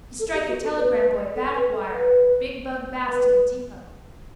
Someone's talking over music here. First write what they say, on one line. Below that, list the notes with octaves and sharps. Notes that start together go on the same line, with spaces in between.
He strike a telegramboy paddock wire big bug Bass to the depot.
A4
G4
F#4
A4
B4
B4
A4
B4
A4
B4
B4